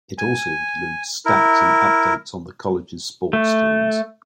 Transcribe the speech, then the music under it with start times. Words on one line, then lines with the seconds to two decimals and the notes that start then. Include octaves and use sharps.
It also includes stats and updates on the college's sports teams.
0.18 G#5
1.25 E4 A#4
3.33 A3